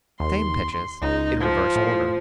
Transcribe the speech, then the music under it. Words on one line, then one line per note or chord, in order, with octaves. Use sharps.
Same pitches in reverse order.
D#2 C6
C#2 D#4
F3
A2